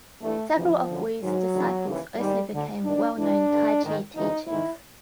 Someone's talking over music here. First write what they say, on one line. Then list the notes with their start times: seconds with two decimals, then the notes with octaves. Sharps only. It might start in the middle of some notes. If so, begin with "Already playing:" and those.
Several of Wu's disciples also became well known t'ai chi teachers.
0.22 G2 E3 A3
0.55 D2 C3 E3 F3
0.88 F#2 D3
1.21 G#2 D#3 F#3
1.53 D2 C#3 E3
1.86 D#2 C#3 E3
2.18 G#2 D#3 G3
2.51 D2 D3
2.84 G2 D#3 D4
3.17 G2 E3 D4
3.49 G2 D3
3.83 G#2 D#3
4.15 D2 C#3 E3 D#4
4.47 G#2 D#3 E4